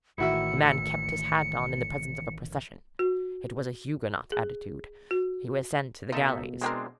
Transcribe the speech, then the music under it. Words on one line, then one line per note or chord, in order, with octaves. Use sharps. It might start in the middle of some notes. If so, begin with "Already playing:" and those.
A man kept his hat on in the presence of a procession--it was a Huguenot attitude; he was sent to the galleys.
A1 A2 D#3 E4 F#4 E5 C#7
F#4
G#4
F#4
B2 A#3 D#4 F4 A4 E5
G#3 C4 D4 E4 G4 A#4